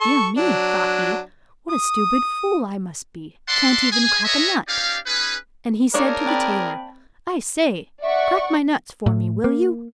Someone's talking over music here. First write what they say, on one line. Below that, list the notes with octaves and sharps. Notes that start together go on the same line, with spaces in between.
'Dear me,' thought he, 'what a stupid fool I must be--can't even crack a nut,' and he said to the tailor, 'I say, crack my nuts for me, will you?'
A4 C#6
F#3 D4
D#6
D5 E5 F#5 A5 C6
G#4 G#5
G#4 B4 C#5 D#5 E5 A#5
C#4 D#4 G4 D5 F5
C#4 D#4 G#4 B4
A#3 D4 D#4 G#4 A#4 C#5 D5
C4 G5 B5
D5 E5 F#5 C#6
A2
A#3